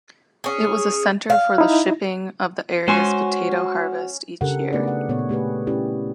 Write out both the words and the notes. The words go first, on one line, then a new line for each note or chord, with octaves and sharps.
It was a center for the shipping of the area's potato harvest each year.
C#4 G#4
F5
D#4 E4
G#3 C#4 F#4 C5 G#5 C6
C#3 D4 G4 A4 A#4 F#5
A3 B3 D#4 G#4 B4 D5
F#5
A#2 B3 C#5 F#5
A3 G4 G#4 B4
C#4 E4 G4 D5